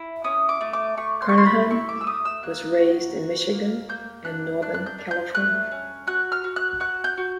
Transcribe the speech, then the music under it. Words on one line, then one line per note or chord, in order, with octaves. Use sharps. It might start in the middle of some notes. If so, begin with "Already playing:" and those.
Carnahan was raised in Michigan and Northern California.
Already playing: E4
C#4 D#6
D6
A3
D6
A3 C#6
C6
C#6
E4 C6
B5
E4 C#6
D6
E6
A3 D#6
E6
A#3 F#6
F#4
F#4
A#3
A#3 G6
D4 F#6
D4 F#6
F#6
G6
D4
G6
A3 F#6
C#4
F#4 F#6
F6
F#4
F#6
F#4 F#6
G6
F#4